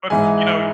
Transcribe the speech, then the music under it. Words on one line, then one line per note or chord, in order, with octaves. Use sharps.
but f you know, y
G#2 E3 G#3 G#5